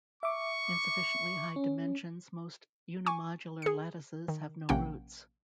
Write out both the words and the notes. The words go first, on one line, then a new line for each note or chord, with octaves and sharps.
In sufficiently high dimensions most unimodular lattices have no roots.
E5 C#6 D6
C#4
G#5 C#6 D6
G#4 C#7
D#3
A#1 C3 A#3 C#4 F#5 G5